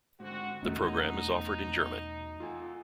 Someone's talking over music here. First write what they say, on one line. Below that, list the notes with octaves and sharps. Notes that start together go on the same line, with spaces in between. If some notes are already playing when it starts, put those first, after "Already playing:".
The program is offered in German.
G#2 D3 C4 F#4
E2 B2 A3 C#4 D#4 F#4
F4 A4 G#5